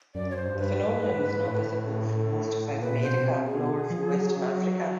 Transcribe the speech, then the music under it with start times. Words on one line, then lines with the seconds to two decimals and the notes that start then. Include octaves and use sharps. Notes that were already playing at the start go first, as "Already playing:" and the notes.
The phenomenon was not visible from most of South America, nor from western Africa.
0.15 F#2 D5
0.31 C#5
0.36 C5
0.48 G2
0.59 B4
0.81 G#2
1.14 G#2
1.47 A2
2.13 A4
2.80 A#2 B4
3.02 B2 C5
3.24 C3
3.46 B2 G#4
3.90 F3
4.13 F#3